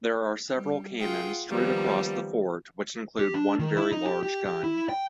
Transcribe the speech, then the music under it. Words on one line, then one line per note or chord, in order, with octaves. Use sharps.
There are several cannons strewed across the fort which includes one very large gun.
G3
F4 G#4 F#5 G5
D#3 F3 G3 A#3 B3
G4
D4
D#3
E4
D#4
G4
G4
G4
E4
G5